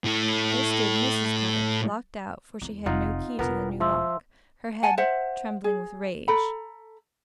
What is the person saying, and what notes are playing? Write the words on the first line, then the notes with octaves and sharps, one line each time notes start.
There stood Mrs. Cutter,--locked out, for she had no key to the new lock--her head trembling with rage.
A2 A3
E2
F1 D#4 F4 F#5
E1 B3 F4 A#4
F3 E5 C6 E6
F#5 G#5 A5
C5 E5 F#5
G#4
A4 A#5 B5